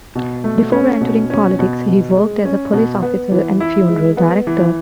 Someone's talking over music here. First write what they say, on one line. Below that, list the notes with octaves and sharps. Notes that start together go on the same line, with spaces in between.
Before entering politics he worked as a police officer and funeral director.
B2
A3
C#4
B2
C#4
B2
B2
G#3
C#4
B2
B3
E3
E4
G#3
B3
E3